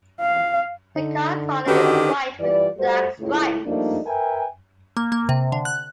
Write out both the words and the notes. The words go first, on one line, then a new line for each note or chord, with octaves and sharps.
The car colour is white with black stripes.
F5
D3 D#4
D3 D#3 C#4 D#4 F#4 G4 B4
E3 G3 F4 D5
G3 A3 F#4 A4 C5
C#2 A2
F3 G3 A3 A#3 D4 D#4
A#4 B4 E5 G5 G#5
A#3
A#3
C3
D3
F#6